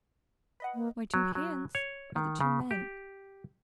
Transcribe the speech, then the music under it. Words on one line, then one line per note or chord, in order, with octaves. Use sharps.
My two hands are the two men.
B4 D#5 F#5
A#3
F#3
F#3
C#5
D#3
C#3
G4